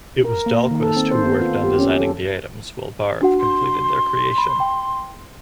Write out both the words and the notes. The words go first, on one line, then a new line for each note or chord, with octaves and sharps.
It was Dahlquist who worked on designing the items while Barve completed their creation.
A#4
A#3
D#3
A4
C4
C5
B3
F4
G4
C#4
A4
D4 F#4 F#5
C6
B5
G5